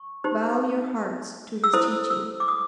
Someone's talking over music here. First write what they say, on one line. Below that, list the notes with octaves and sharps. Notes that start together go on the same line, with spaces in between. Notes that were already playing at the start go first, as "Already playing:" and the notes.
Bow your hearts to his teaching.
Already playing: C#6
D#4 G4 C5
E6
E4 A4 C5 D#6
E6
D6
D#6